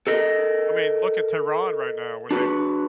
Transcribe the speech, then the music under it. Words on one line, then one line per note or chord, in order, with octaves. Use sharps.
I mean, look at Tehran right now when they
A4 A#4 D#5
D4 F#4 B4